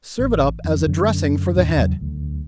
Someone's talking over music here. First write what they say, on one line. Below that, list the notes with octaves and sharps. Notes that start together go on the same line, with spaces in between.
Serve it up as a dressing for the head.
A1
F2
F#2 D3
D#2 A2 D4
E2 C#3 F#3
D2